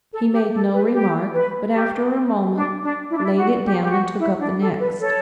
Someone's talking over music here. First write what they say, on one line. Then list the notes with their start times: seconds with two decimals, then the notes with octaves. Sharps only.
He made no remark, but after a moment laid it down and took up the next.
0.12 A4
0.32 G4
0.53 A4
0.73 B4
0.93 G4
1.34 B4
1.74 G4
2.55 D4
2.83 D4
3.11 E4
3.17 D4
3.24 E4
3.37 F#4
3.65 G4
3.82 G4
3.91 F#4
4.19 E4
4.39 D4
4.59 A4
4.80 B4
5.00 A4 C#5